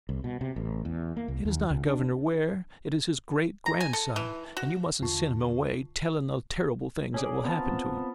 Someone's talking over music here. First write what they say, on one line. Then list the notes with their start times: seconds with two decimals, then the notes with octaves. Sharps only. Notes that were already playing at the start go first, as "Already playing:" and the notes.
"It is not Governor Ware, it is his great-grandson, and you mustn't send him away tellin' of terrible things that will happen to him."
0.09 C2
0.24 B2
0.41 C3
0.56 A1
0.85 E2
1.17 A#3
1.28 C2
1.45 D#2
1.70 C#2
1.86 D4
3.66 A#5
3.80 G#5
3.93 A4
4.16 E3
4.57 F#4
5.02 E2 D3 F4 A5 C#6
7.14 C#4 G#4 D5
7.44 B3 C4 F4 A5 A#5